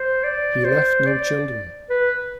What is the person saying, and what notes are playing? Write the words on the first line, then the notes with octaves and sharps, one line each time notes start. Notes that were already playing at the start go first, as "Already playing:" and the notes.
He left no children.
Already playing: C5
D5
C5
D5
B4